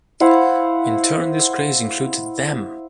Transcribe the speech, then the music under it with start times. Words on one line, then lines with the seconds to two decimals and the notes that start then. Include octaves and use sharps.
In turn this craze included Them!
0.21 E4 C5 F5 F#5